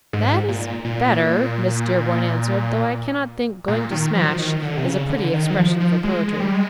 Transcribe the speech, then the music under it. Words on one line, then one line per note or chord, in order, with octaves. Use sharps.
"That is better," Miss Dearborn answered, "though I cannot think 'going to smash' is a pretty expression for poetry."
G#2
A#2
A#2
A#2
D#3
F3
F#3
F3
D#3
D3
C3
C#3
D3
D#3
F#3
F3
F3
G#3
G#3
G3
G#3